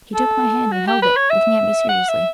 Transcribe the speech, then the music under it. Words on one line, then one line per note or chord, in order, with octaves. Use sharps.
He took my hand and held it, looking at me seriously.
A4
F#4
G4
B4
C#5
E5
F#5
E5